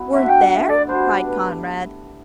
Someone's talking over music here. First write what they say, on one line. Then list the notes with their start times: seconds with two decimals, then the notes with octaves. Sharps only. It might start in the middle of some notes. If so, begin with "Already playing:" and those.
"Weren't there?" cried Conrad.
Already playing: F#3 B3 E4
0.13 D3 A3 D4 F#4 E5
0.28 G5
0.41 F#5
0.55 E5
0.69 D5
0.87 B2 G3 D4 C5
1.25 B4